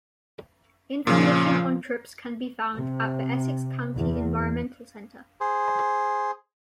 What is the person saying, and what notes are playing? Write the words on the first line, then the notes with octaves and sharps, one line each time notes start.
Information on trips can be found at the Essex County Environmental Center.
A#2 C#3 F3 C#4
C3
E2
G#4 C5